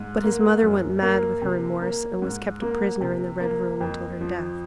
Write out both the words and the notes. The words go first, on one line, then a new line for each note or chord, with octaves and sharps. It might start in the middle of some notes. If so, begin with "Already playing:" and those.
But his mother went mad with her remorse, and was kept a prisoner in the Red Room until her death.
Already playing: G#2
A#3
F#2
A#3
C3
A#3
G#2
A#3
C3
A#3
F2
F3